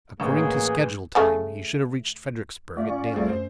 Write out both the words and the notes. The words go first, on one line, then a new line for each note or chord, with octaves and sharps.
According to schedule time, he should have reached Fredericksburg at daylight.
A1 E3 A#3 G#4
C#3 A3
A3 F4 D5
C#4 C#6
C2 A3 C4 G#4
F#2 C5